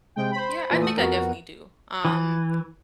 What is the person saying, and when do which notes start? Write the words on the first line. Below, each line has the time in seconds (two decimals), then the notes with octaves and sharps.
Yeah, I think I definitely do, um,
0.16 C3 G#3 G5
0.31 C5 B5
0.70 A#2 E3
0.82 A3 D#6
0.97 F2 B3 F#4 A#4
2.05 E3